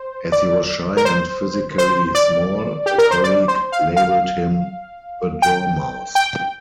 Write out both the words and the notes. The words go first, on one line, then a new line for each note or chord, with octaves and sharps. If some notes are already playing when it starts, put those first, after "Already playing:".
As he was shy and physically small, a colleague labelled him 'the door mouse'.
Already playing: C5
D5
A#4
C5
C5
D5
G4
A#4
C5
D5
C5
F5
F5
G5
G5